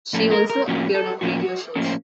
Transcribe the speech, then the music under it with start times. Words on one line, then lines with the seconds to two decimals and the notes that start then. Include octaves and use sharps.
She also appeared on radio shows.
0.13 A2 F3 A#3 C#4 A4
0.31 A#4
0.50 A#4
0.68 A2 F3 A#3 C#4 F#4
0.95 A4
1.21 A2 F3 A#3 C#4 F#4
1.75 A2 F3 A#3 C#4 A4
1.84 C5